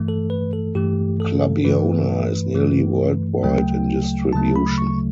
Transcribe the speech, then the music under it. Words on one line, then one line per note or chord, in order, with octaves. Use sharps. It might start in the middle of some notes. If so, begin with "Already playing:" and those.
"Clubiona" is nearly worldwide in distribution.
Already playing: G2 E3 A3
A4
B4
A4
G2 E3 A3 G4
A4
G2 E3 A3 B4
G2 E3 A3
D2 C#3 F#3 A3 G5
D2 C#3 F#3 A3 A5
B5
C#6